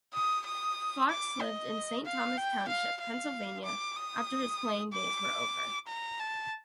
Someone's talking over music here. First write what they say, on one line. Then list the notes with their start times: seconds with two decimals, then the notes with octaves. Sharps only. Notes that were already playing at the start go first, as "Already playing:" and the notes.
Fox lived in Saint Thomas Township, Pennsylvania after his playing days were over.
0.14 D#6
0.46 D#6
1.10 D6
1.41 D#5
2.05 F5
2.37 G5
2.69 F5
3.01 F5
3.65 D6
3.97 D#6
4.92 D6
5.88 A#5
6.20 A5